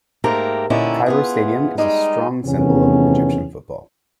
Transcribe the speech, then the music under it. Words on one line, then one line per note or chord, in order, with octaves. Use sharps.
Cairo Stadium is a strong symbol of Egyptian football.
G#2 A3 A#3 G4 A#4 A#5
A#2 D3 C#4 D#4 E4 G4
B3 F4 G#4
G3 G#3 D#4
E2 C3 D#3 A3 B3 C#4